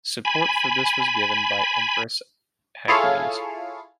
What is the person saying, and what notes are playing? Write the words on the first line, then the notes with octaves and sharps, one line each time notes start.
Support for this was given by Empress Agnes.
G#5 B5
E4 F4 G#4 A4 C#5 F5